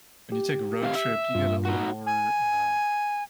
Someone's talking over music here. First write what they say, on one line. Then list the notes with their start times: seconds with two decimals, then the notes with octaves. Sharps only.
when you take a road trip, you get a little more, uh
0.32 G4
0.82 C3 D#3 F5
0.95 E5
1.35 G2 F4
1.65 D#4 F#4
2.06 G#5